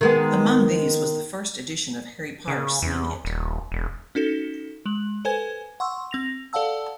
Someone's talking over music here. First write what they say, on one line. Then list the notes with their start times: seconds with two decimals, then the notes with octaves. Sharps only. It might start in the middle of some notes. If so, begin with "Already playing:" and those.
Among these was the first edition of Harry Potter Scene It?
0.01 D#3 G#3 B3
2.48 C#3
2.82 E2
3.25 D#1
3.72 E1
4.15 C#4 D#4 F#4 A4
4.86 G#3 F#7
5.25 A4 B4 C5 G#5 G#6
5.80 F#5 C6 C#6 E6
6.11 C4 A#6 F7
6.53 A4 D5 F5 F#5 A5 E6